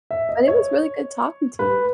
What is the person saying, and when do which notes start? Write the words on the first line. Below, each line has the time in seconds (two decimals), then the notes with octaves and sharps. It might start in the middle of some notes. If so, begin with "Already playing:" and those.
But it was really good talking to you.
0.11 E5
0.29 D#5
0.48 C#5
1.59 B4